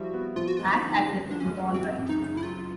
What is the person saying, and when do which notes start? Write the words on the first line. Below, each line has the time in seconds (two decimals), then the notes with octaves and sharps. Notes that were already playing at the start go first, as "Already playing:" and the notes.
Act as if it was all right!
Already playing: F3 G3 E4 F#4
0.14 B3
0.36 F3 F4
0.47 F#4
0.57 G#3 F4
0.71 D#4
0.82 D3
1.05 C#4
1.28 D4 F4
1.40 C#4
1.51 G#3
1.74 E3 C4
1.98 F#2
2.09 D#4
2.20 C#3
2.37 E4
2.43 F#3 F4